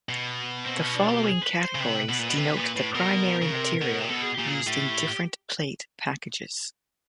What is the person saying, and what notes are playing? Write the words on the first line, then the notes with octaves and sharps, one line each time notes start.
The following categories denote the primary material used in different plate packages.
B2
C4
C#4
D4
G4
G#4
B4
C5
C#3
C3 B4
B2
A#2
B2
C3 B4
A#2
A2
B2 A#4
C#3
C3
B2
C3
B2 A4
G#4
A#2 G4
G#4
A2 G4